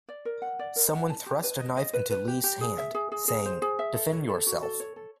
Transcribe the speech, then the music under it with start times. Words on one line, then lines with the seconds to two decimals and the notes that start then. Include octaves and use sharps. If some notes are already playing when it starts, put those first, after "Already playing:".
Someone thrust a knife into Lee's hand, saying, Defend yourself!
0.09 D5
0.25 A#4
0.42 F#5
0.59 D5
0.76 A#4
0.93 F#5
1.10 A5
1.26 G4
1.43 B4
1.60 D#5
1.77 D#5
1.93 B4
2.10 B4
2.28 G4
2.44 G4
2.61 G#4
2.78 E5
2.95 G#4
3.12 G#4
3.28 G#4
3.45 C5
3.62 G#4
3.79 E5
3.96 A4
4.12 C#5
4.29 A4
4.47 F#4
4.63 A4
4.80 C#5
4.96 A4